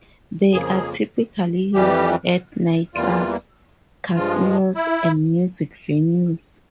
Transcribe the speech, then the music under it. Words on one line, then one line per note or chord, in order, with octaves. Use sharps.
They are typically used at nightclubs, casinos and music venues.
F2 C#3 F3 A#3 G#4
F2 E3 G3 G4
E2 E3 G3 A#3 F4
G2 F3 G#3 F4
E4